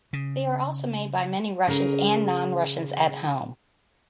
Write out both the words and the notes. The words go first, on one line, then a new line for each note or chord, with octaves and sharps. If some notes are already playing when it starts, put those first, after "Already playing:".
They are also made by many Russians and non-Russians at home.
C#3
C#3 G#4 A#4 A#5